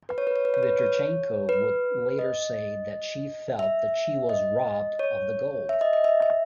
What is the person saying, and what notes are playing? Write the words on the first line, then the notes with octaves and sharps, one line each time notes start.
Vitrichenko would later say that she felt that she was robbed of the gold.
B4
C#5
B4
C#5
B4
C#5
B4
C#5
B4
D#5
E5
D#5
C#5
E5
D#5
D#5
E5
E5